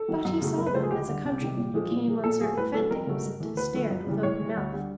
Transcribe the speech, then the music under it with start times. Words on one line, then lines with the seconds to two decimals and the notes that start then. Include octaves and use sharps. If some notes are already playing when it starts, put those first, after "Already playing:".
But he saw them as a countryman who came on certain fete-days, and stared with open mouth.
Already playing: A4
0.08 D#3 F#3
0.25 F#2
0.42 C#3 F#3 A3
0.58 F#2 A#4
0.67 B4
0.74 C#3 F3 A3 C5
0.83 G#4
0.91 D2 G4
1.08 D3 G3
1.25 C2
1.41 C3 D#3
1.57 A#2
1.74 F3 G#3
1.91 A#2
2.07 F3 G#3
2.24 A#2 A4
2.41 F#3 A3 G#4
2.57 A2 B4
2.74 F#3 A3 A4
2.91 F2 A#4
3.07 C#3 F#3 A3
3.24 G2
3.40 E3 A3
3.57 D2 B4
3.73 D3 F3 A3
3.90 F#2
4.07 C#3 E3 G3
4.23 A2 C#5
4.40 E3 G3
4.57 D2
4.73 D3 G3